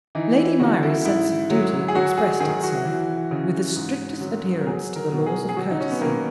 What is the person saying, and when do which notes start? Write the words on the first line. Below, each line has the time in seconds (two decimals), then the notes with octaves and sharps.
Lady Myrie's sense of duty expressed itself, with the strictest adherence to the laws of courtesy.
0.15 E3 D#4
0.38 E4
0.60 C#3 F#4
0.83 E4
1.05 G#2 E4
1.50 F#3
1.88 G#4
1.95 F#3 F#4
2.18 G#4
2.40 D#3 G#4
2.63 F#4
2.85 E3
3.31 C#3
3.76 G#2
4.21 F#3
4.61 A#4
4.67 F#3 G#4
4.96 A#4
5.12 B2
5.26 G#4
5.49 G#4
5.56 F#3 F#4
5.71 D#4
5.80 C#4
5.92 B3
6.01 D#3 A#3